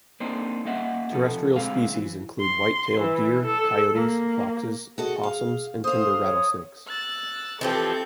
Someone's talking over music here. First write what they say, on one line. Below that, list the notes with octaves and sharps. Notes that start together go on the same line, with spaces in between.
Terrestrial species include white-tailed deer, coyotes, foxes, opossums, and timber rattlesnakes.
A#3 C4 D4 D#4 C5
A#3 C#4 D#5 E5 F#5
C3 F3 A4
D2 G#3 C4 F5
E3
C6
E3
A4
A#3
F#4 G#4 A4 D#5
F5
A4 C5 F5 D#6
C#5
E6 F#6 A6
E3 F3 C4 G4 A4 G6